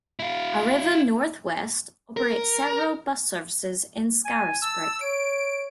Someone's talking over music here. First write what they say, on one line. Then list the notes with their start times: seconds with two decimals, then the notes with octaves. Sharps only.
Arriva North West operate several bus services in Scarisbrick.
0.20 E4 F5
2.17 A#4
4.25 G#5
4.62 A5 E6
5.01 C#5 D7